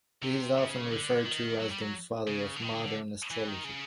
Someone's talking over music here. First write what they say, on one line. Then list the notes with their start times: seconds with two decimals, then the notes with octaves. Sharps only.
He is often referred to as "the father of modern astrology".
0.23 C3
0.57 C#3
0.91 D3
1.25 D#3
1.60 F#3
1.71 G3
1.82 F#3
2.28 C#3
2.56 D3
2.62 D#3
2.74 D3
2.85 D3
3.30 E3
3.48 D#3
3.64 C#3